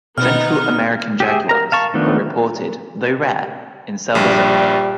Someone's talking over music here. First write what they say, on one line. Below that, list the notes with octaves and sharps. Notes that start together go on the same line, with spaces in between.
Central American jaguars are reported, though rare, in Selva Zoque.
B2 B3 D#4 F6
G4 G#4 E5
A#4 A#5
F5 A5 C#6
D#3 F3 A3 B3 D4
A#1 G2 G3